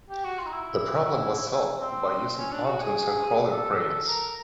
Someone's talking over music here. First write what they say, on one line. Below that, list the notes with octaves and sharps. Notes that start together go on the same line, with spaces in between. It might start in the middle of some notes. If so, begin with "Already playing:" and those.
The problem was solved by using pontoons and crawler cranes.
G4
F#4
F4
D#4
E4
C4
C#4
D4
F#4
G#4
A4
A#4